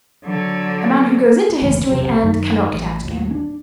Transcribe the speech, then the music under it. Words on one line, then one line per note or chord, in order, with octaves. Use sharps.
A man who goes into history and cannot get out again.
D3 F#3
F#1 D#2 A2 E3
E1 B1 F2 C3
F#2 D#3
A1
D#2 A2
C#4 D4